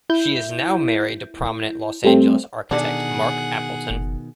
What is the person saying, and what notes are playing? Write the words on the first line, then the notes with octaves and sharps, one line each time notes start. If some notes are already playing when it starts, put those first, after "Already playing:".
She is now married to prominent Los Angeles architect Marc Appleton.
E4 G6
G3 A3 C4
B2 D3 D#3 D4 G#4 F#5
F#1